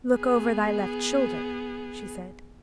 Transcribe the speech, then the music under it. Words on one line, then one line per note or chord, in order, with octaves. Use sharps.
"Look over thy left shoulder," she said.
B3 G#4